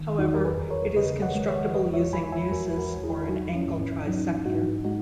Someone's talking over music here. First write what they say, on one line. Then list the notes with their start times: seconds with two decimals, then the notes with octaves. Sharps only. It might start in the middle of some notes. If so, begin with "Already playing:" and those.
However, it is constructible using neusis, or an angle trisector.
Already playing: D#3
0.19 E2 D#4 F#4
0.35 A#4
0.45 G#4 B4
0.58 E2
0.70 A#4 C#5
0.96 C#3 B4 D#5
1.22 D#5 F#5
1.35 G#3
1.48 C#5 E5
1.74 E2 B4 D#5
1.94 C#5 E5
2.13 E2 G#5 B5
2.32 E5 G#5
2.52 E2 F#4 A#4
2.78 F#4 A#4
2.90 E2
3.03 E4 G#4
3.29 F#3 D#4 F#4
3.55 C#4 E4
3.68 G#2
3.81 C#4
4.01 C#4
4.07 F#3 D#4
4.46 G#2 D#4 F#4
4.84 G#3 D#4 F#4